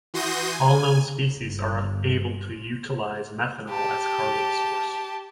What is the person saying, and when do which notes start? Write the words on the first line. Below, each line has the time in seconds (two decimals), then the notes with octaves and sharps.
All known species are able to utilize methanol as carbon source.
0.14 E3 F#4 C6 D#6 G6 A#6
0.52 G#5
1.39 G1
3.69 G4 A5